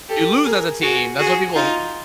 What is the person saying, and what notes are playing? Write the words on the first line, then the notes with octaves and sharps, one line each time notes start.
You lose as a team, that's why people m
G4 A4
G#4 A#4
F#4 G#4
F#4 G#4
D#4 F4